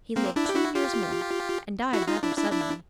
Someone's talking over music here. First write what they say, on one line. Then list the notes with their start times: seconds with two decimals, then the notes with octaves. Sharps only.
He lived two years more, and died rather suddenly.
0.16 A#3 C4
0.36 D4 E4
0.49 G4
0.56 E4 F#4
0.75 F4 G4
1.93 E4 F#4
2.08 D#4 F4
2.23 D4 E4
2.38 D4 E4
2.52 D4 E4